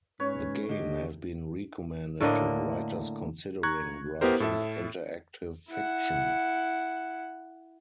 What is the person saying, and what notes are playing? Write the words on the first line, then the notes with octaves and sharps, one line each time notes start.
The game has been recommended to writers considering writing interactive fiction.
G#2 C#4 B4 C#5
D3 G4 D#5
A2 D3 A#3 D#5
A#5 C#6 F#6 G#6
B3 E4 G4 A#4 C5
A2 A4 E5
E4 F#5